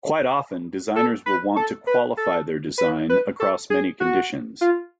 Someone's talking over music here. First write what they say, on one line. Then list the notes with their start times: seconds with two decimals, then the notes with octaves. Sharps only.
Quite often, designers will want to qualify their design across many conditions.
0.96 A4
1.26 B4
1.56 A4
1.87 B4
2.17 A4
2.78 B4
3.09 B4
3.40 A4
3.70 G#4
4.00 F#4
4.61 F4